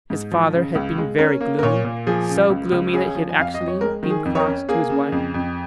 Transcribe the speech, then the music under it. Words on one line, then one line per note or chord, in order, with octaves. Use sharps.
His father had been very gloomy--so gloomy that he had actually been cross to his wife.
G#2
F3
C#3
C#2
G#3
C#4 A#4
A#3
A#4
A#2 C#5
A#2
F3 G#4
C#3
C#2
C#2
C#4 G#4
F3
G#5
F2 F5
D#5
F2
C#5
G#3 A#4
D#3
G#4
F2
C#5
A#4
C#4
A#3 G#4
C#3
F2
F2